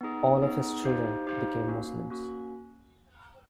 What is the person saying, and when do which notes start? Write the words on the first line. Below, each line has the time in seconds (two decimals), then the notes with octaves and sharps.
All of his children became Muslims.
0.01 B3 D#4 G#4
0.42 B3 D#4 G#4
0.84 D#4 G4 C5 F5
1.27 D#4 G4 C5 F5
1.68 A#3 C#4 F#4
2.10 A#3 C#4 F#4